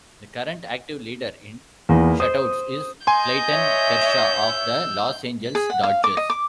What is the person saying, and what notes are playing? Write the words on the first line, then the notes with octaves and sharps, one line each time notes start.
The current active leader in shutouts is Clayton Kershaw of the Los Angeles Dodgers.
E2 A#3 B3 D#4
C5 D#6
D#5 G#5 C6 G6
C#5 E5
E6
G#4
F#5
F5
D6
D#5
D6